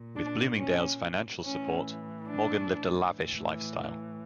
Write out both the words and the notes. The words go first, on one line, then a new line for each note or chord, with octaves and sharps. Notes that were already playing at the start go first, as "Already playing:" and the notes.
With Bloomingdale's financial support, Morgan lived a lavish lifestyle.
Already playing: A#2
D4
C#4
A2 E3 C#4
D4
A2 E3